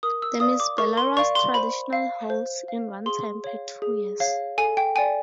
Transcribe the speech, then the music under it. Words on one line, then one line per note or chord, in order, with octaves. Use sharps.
The Miss Belarus traditionally holds in one time per two years.
A#4 D#6
E6
D5 F5 D#6
D6
A#4 C#6
C6
D5 F5 C#6
C6
C5 B5
F5
C5
F5
G#4 C6
C#5 F5
G#4
C#5 F5
A4 G#5
G5
D5 G5 G#5